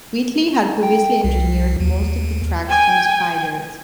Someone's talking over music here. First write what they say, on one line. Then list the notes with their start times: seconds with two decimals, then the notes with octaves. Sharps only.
Wheatley had previously engineered most of the tracks from "Spiders".
0.83 G5
1.24 C2
1.80 D#2
2.67 G5 G#5